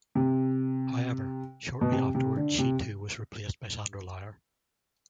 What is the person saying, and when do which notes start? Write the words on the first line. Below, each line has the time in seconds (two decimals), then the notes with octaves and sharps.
However, shortly afterwards she too was replaced by Sandra Lauer.
0.15 C3
1.81 B2
1.92 C3
2.15 C3
2.36 D3
2.58 C3